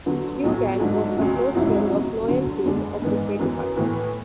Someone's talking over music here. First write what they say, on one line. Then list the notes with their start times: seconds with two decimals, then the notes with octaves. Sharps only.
Duggan was a close friend of Noel Field of the State Department.
0.06 E2 D3 F#3 B3
0.43 B1 A2 F#3
0.80 G#2 F#3 A3 D4
1.17 D2 C#3 F#3
1.55 G#1 G#2 F#3 C#4 E4
1.91 E2 C#3 F#3
2.28 E2 D3 F#3
2.65 F#1 E2 D3 G#3 D4
3.02 G#2 E3 B3 D4
3.39 F#2 E3 B3
3.77 A2 E3 B3